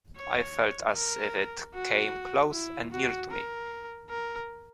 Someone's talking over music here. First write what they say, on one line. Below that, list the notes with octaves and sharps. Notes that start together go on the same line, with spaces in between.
I felt as if it came close and near to me.
C#5
A#4
F#4
E4
F#4
A#4
A#4